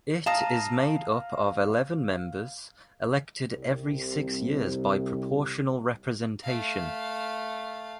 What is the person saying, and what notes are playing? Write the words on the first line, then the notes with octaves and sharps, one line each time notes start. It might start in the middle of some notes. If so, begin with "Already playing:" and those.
It is made up of eleven members, elected every six years by proportional representation.
F5 A5 A#5 D#6
C2 C3
A3 F5